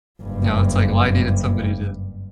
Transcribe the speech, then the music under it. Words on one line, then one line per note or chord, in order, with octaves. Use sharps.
you know, it's like, well, I needed somebody to
F#1 G2